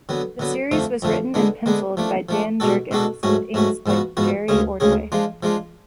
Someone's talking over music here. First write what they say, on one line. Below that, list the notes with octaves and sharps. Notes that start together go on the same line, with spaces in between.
The series was written and penciled by Dan Jurgens, with inks by Jerry Ordway.
D3 F#3 B3
D3 F#3 B3
F2 D3 F3 A3
F2 D3 F3 A3
D3 G#3 B3 D4
D3 G#3 B3 D4
F3 A3 D4
F3 A3 D4
B2 G#3 D4 F#4 A4
B2 G#3 D4 F#4 A4
G#2 F#3 A3 C#4 F#4
G#2 F#3 A3 C#4 F#4
G#2 F3 B3 F#4
G#2 F3 B3 F#4
D2 C#3 G#3 C#4 G#4
D2 C#3 G#3 C#4 G#4
F3 G#3 D4 F4
F3 G#3 D4 F4